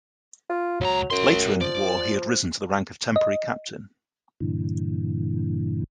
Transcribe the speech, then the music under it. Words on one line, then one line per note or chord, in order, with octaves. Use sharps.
Later in the war he had risen to the rank of temporary captain.
F4
C#2 F#3 A#5
F#2 C#4 C6
F3 D5
D#5
G2 A#2 D3 E3